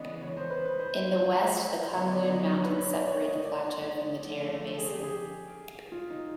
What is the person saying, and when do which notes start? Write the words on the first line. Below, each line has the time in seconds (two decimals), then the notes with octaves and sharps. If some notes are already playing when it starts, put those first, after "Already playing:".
In the west the Kunlun Mountains separate the plateau from the Tarim Basin.
Already playing: C#3 E3 G#3 B3 D5 D#5
0.23 C#5
0.37 C5
0.50 B4
0.65 B4
0.79 C5
1.93 D3 F#3 B3 C#5
2.13 D5
2.32 D#5
2.51 C#5
2.65 B4
2.79 C#5
2.93 D5
3.08 C#5
3.26 D#5
3.45 D5
4.21 D3 F3 A3
4.78 G#4
4.90 G4
5.03 G#4
5.92 F4
6.10 D#4